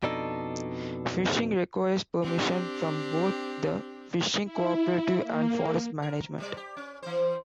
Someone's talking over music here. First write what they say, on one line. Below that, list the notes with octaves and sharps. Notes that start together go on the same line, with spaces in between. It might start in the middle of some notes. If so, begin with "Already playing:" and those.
Fishing requires permission from both the Fishing Cooperative and Forest Management.
F2 B2 D4 D#4 A4
C4 D4 G4
E4
A#3
A#4
C3 G3 D5
G4
C#4
E3 C4 C5